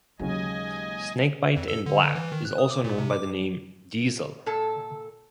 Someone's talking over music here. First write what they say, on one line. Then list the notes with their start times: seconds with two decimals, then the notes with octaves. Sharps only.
Snakebite and black is also known by the name diesel.
0.19 D#2 C#3 F#3 G#3 F#4 D#5 G#5
1.57 F2
1.68 A4
1.86 D3
2.15 E3
2.32 D#3
2.45 F#6
2.58 D#6
2.71 D6
2.84 A#2
2.98 C3
3.10 D6
4.46 A#2 A4 A5